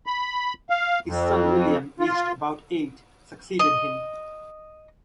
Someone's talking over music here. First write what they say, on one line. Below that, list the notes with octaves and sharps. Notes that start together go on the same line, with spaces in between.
His son William, aged about eight, succeeded him.
B5
F5
F2
F4
D#5